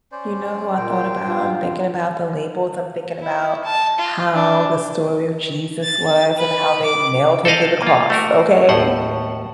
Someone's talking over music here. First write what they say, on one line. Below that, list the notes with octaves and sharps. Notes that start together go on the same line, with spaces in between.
You know who I thought about? I'm thinking about the labels, I'm thinking about how the story of Jesus was and how they nailed him to the cross, okay
C#4 C5 D5
A#2 C5 G5
G2 B3 F4
E4
A5
F4
D4
A6
B4
D6
A4 C5 D5 D#5 F5
A#3 F4
A3 F#4 A#4
D#2 A2 C5 F#5